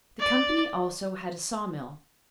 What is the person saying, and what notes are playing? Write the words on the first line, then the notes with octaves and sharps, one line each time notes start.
The company also had a saw-mill.
D5